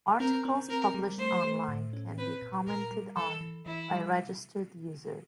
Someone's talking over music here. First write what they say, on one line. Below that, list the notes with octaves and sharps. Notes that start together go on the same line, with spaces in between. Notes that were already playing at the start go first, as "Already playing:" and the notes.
Articles published online can be commented on by registered users.
C4 A#4
C4
C4 A#4
G3
A3 C5
A3
A2
C#4
C4 B4
A#2
A#2 A#4
G3
E3 A4
E3
E3 E4
G3